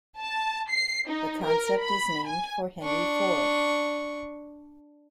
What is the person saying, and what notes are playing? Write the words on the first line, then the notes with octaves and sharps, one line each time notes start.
The concept is named for Henry Ford.
A5
C7
D#4
A#4
B5
G#5
D4 C#6